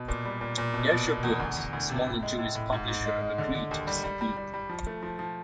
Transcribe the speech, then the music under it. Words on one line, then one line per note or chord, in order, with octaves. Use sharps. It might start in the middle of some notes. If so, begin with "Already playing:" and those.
Yashar Books, a smaller Jewish publisher, agreed to distribute them.
Already playing: B2
A#2
G3
A#2
A#2
B2
B2
B2
E2
D2
D2
D2
C3
A2
G#3
A2
A2
G#2
G#2
G#3
G#3
D3
D3
D#2
G3
G3
G3
G3
G3
F3
A3
F3
F3